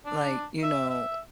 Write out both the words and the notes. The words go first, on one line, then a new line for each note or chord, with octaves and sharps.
like, you know,
D4
E5
E5